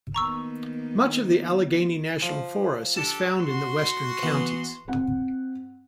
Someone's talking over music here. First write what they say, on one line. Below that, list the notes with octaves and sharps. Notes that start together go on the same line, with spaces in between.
Much of the Allegheny National Forest is found in the western counties.
D#3 A#3 B3 A#5 C#6 E6
F3
D4 G4 A4 A5
F#4 C6
E3 B3
C4 F#5